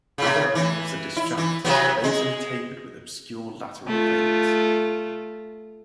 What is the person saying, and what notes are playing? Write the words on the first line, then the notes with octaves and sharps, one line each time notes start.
Adult leaves are disjunct, basally tapered with obscure lateral veins.
A2 C#3
E3
E4
E3
C3 F#3 B3
G#3
A3 F4